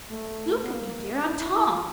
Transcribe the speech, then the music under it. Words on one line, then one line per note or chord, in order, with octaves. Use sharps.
Look at me, dear--I'm Tom.
A3
B3
A#3
E4
E4
E4
F4